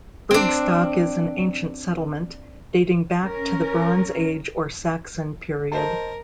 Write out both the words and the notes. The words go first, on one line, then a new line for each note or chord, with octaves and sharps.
Brigstock is an ancient settlement, dating back to the Bronze Age or Saxon period.
C4 D4
C#4 A#4
A#4 C5 D#5 A5